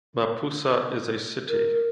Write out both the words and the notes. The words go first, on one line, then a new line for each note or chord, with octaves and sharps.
Mapusa is a city.
A#4